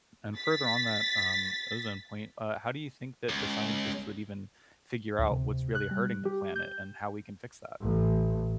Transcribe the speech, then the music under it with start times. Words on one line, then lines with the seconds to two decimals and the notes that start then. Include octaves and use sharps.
and further on that, um, ozone point, uh, how do you think that the scientists would even figure out what's really hurting the planet and how we can fix that?
0.38 A6 B6
3.29 C#2
5.19 D2
5.31 C3
5.75 F#6
5.91 G3
6.25 G4
6.56 G6
7.81 A1